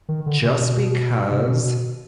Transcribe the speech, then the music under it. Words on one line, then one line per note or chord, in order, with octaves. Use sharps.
just because
D#3
D3
C3
B2
C3
B2
B2